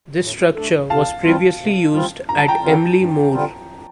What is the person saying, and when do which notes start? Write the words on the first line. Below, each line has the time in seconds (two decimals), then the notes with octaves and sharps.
This structure was previously used at Emley Moor.
0.20 A2
0.55 A3 D4 A4
0.90 C3 F5 A5
1.24 G3 C4 F4
1.59 C3
1.93 G3 C4 F4
2.28 G2 A#5
2.38 A5
2.48 G5 A#5
2.63 D3 G3 C4 F4
2.97 G2
3.33 D3 G3 C4 F4